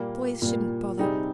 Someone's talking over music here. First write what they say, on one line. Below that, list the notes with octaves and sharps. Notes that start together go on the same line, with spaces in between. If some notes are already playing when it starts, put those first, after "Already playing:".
Boys shouldn't bother.'
Already playing: A#2 G3 A#3
A#2 G3 A#3
C3 G3 C4 D#4 G#4